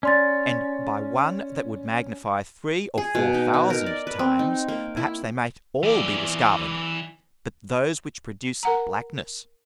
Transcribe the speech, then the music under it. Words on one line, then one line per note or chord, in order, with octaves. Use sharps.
And by one that would magnify three or four thousand times perhaps they might all be discover'd, but those which produce blackness.
C#4 D5 C6 A6
G#4
B2
D#4
D#4
A#4
D5
B4
C4
D#4
A#3
E4
E3 D5
A#4 F#5 A#5